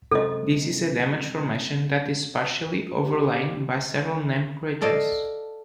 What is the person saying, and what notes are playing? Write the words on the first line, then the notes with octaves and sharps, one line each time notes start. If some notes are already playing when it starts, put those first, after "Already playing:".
This is a damaged formation that is partly overlain by several named craters.
F#2 C3 G#3 A4 D#5
G4
A4 D5 D#5 F5